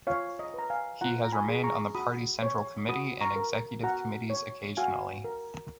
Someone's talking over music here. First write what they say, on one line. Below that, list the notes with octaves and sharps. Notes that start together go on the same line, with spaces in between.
He has remained on the party's central committee and executive committees occasionally.
F4 C#5 F5
D#5
B4 A#5
F5 G#5
F4 F#5 A#5
A#5
G#5 B5
G#4
A#5 C#6
F#4 B5 D#6
C#5
F#4 B5 D#6
A#5 C#6
A#4
F#4 F#5 A#5
C#5
F#4 F5 G#5
A#4